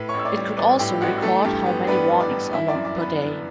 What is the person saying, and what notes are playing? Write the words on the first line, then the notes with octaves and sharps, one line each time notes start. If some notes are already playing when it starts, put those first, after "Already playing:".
It could also record how many warnings are logged per day.
Already playing: A2 B4 B5
C#5 C#6
A1
E6
D5 D6
G3
B3 D5 D6
A2 G4 G5
A1 F#4 F#5
E3 A3 A4
G2 G4
B3
B3 D4 B4
E3
D4 D5
G2
E3 E4 E5
D5 D6
F#2
D5 D6
B3
B4 B5
D4